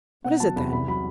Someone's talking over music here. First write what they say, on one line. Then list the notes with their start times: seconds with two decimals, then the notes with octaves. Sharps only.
"What is it then?"
0.24 B2 F#5
0.40 F#3 A5
0.56 E2 B5
0.72 C2 B5
0.88 F#3 B5